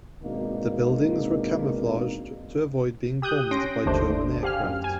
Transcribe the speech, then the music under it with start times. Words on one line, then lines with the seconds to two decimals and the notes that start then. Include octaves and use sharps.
The buildings were camouflaged to avoid being bombed by German aircraft.
0.23 G#1 B2 A#3 D4 D#4
3.22 G4 D#6 F#6 G6
3.51 C#4 C6 A#6 D7
3.86 G1 D#2 D#3 A3 D4 C5
4.43 G4 F5 G#5 F6
4.64 F#2
4.84 G#5